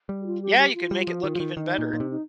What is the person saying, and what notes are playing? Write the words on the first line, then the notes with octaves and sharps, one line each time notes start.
Yeah, you could make it look even better.
G3
G4
F4
G4
G4
F4
G3
F3
D#3
F3
D#3
D#3 D#4
A#2
A#2
C3
D#4